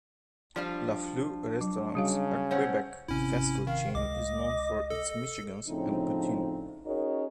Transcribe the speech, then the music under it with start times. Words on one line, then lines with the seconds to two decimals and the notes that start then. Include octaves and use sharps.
Lafleur Restaurants, a Quebec fast food chain, is known for its Michigans and poutine.
0.56 F3 G3 D4 F4 D5
1.61 F#3
1.95 C#3 G3 F#4 F5
2.51 A2 C#4 C5 C#5 F#5
3.08 G#1 C3 C#4 E4
3.67 D#3 F5
3.95 C#2 G#3 D#5 D6
4.90 A4
5.68 A2 C#3 F3 C4 D4 D#4
6.86 C#4 D#4 F#4 G#4 A#4 C#5